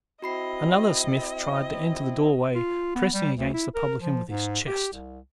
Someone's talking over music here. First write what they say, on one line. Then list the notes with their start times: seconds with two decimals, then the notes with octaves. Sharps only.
Another smith tried to enter the doorway, pressing against the publican with his chest.
0.22 C4 E4 F#4 D#5 B5 C7
2.55 F4
2.95 B3
3.14 G3
3.36 D2
3.54 E4
3.75 A#4
4.01 F3
4.28 G#2
4.67 G4
4.93 C2